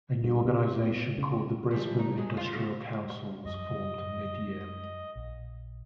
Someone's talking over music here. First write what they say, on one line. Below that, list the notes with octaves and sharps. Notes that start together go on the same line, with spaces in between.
A new organisation called the Brisbane Industrial Council was formed midyear.
G2
C3
B2
C#3
E3 F3 G3
D#4
F#3 G#3 G#4
C#3 F4
C#3 A3 F#4
F#2 F3 F#3 D#5
A#1